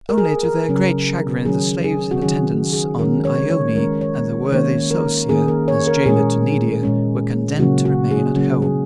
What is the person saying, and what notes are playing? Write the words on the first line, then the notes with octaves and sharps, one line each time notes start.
Only, to their great chagrin, the slaves in attendance on Ione, and the worthy Sosia, as gaoler to Nydia, were condemned to remain at home.
A#4
G#4
A#4
C#3 F#3 C#4
D#3 F#3 C#4 G#4
G#4
F#4
D#3 F#3 C#4 G#4
G#4
D#3 G#3 C#4 A#4
C#5
C#5
D#3 G#3 C#4 A#4
C#5
D#3 A#3 C#4 C#5
A#4
D#3 A#3 C#4 G#4
A#4
C#5
A#4
A#2 G#3 C#4 G#4
A#2 G#3 C#4
C#3 F#3 A#3 C#4 F#4
F#4
G#4
C#3 F#3 A#3 C#4
G#4